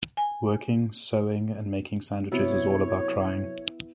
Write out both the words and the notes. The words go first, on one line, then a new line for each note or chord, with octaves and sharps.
Working, sewing and making sandwiches is all about trying.
G#5
C3 F#3 B3 E4 C#5